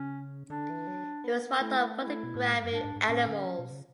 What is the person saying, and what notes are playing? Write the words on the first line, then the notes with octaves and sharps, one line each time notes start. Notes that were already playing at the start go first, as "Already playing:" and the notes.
He was fond of photographing animals.
Already playing: C#3 C#4
D3 D4
E3
F#3
B3
A3 E4
A3
B3 E4
G#3
A3
B2
A2
G#2
F#2
G#2 D4
G#2
G#2
A2 C#4
D3
F#3
B2
C#3